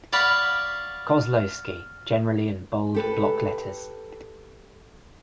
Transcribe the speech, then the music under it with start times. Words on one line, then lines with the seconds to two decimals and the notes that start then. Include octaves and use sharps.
Kozlowski, generally in bold block letters.
0.13 D5 F5 F#5 B5 C#6
2.94 G4 A4 B4